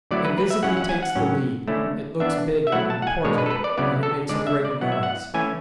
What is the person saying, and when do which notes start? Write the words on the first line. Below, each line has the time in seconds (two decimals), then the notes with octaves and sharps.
It visibly takes the lead, it looks big and important, and it makes a great noise.
0.11 D3 F#3 A3 E4 D5
0.25 B4
0.38 B4
0.50 E5
0.63 F#3 C#4 E4 F#5
0.77 F#5
0.89 G#5
1.03 F#5
1.16 A2 F#3 C#4
1.68 D3 A3 C#4 E4
2.20 E3 B3 D4 E5
2.67 E5
2.72 F#3 A3 E4 F#5
2.90 A5
3.02 F#5
3.07 G#5
3.24 B2 G#3 D4 C#5
3.38 B4
3.46 A4
3.50 B4
3.64 D5
3.78 C#3 F#3 B3 E4 D5
4.03 A4
4.29 D3 G#3 D4 D5
4.47 E5
4.65 D5
4.81 F#3 B3 E4 F#5
4.92 E5
5.03 F#5
5.34 E3 A3 C#4 E4 G#5